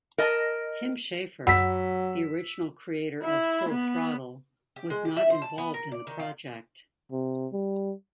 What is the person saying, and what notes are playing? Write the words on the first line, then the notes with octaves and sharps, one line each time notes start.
Tim Schafer, the original creator of "Full Throttle", was not involved in the project.
A#4 D#5 A5
F#2 F#3 F#4 F#5 B5 E6 B6
E4
B3
G4
G#3
G4
E5
C5
A5
B3
A#4
D5
D#3
F4
C3
G3